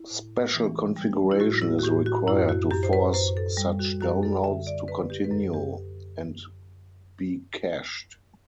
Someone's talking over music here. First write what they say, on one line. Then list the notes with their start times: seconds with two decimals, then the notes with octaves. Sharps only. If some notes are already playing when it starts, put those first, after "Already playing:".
Special configuration is required to force such downloads to continue and be cached.
Already playing: E4
0.11 A2
0.54 E3
0.96 G3
1.31 E4
1.40 A2 F#4
1.62 E4
1.79 F#4
1.84 A2 G4
2.06 F#4
2.27 F#2 E4
2.49 F#4
2.71 F#2 G4
2.83 C5
2.93 B4
3.14 F#2 C5
3.37 A4
3.57 G3
3.79 F#4
4.01 F#2 F#4
4.23 A4
4.44 D3 E5
4.67 D5
4.88 D3 B4
5.10 G4
5.24 B4
5.31 F#2 A4
5.53 G4